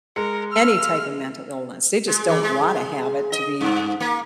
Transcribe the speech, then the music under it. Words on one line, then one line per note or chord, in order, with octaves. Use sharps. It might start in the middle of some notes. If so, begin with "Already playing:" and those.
any type of mental illness, they just don't wanna have it to be,
G#3 A#4 C#7
E6 F6
G#3
E3
G#3
D#5
G2
A#3